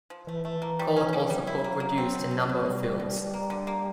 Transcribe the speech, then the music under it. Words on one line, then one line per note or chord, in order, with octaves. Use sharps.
Cort also co-produced a number of films.
F3
E3 A3
A3
A#3
G3
C#4
G3
F#3 G3
F3
F#3 E4
A#3
A#3
C4
B2
B2
B2
B2 G3
B2
B2
B2
A#3
D3
A#3